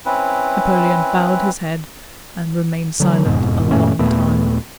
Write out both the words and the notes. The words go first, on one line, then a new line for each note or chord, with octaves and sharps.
Napoleon bowed his head and remained silent a long time.
C4 C#4 E4 B4
D3 F#3
E1 F2 G#2 B2
F#2 A#2 A3 C#4
D#2 A#2 A3 B3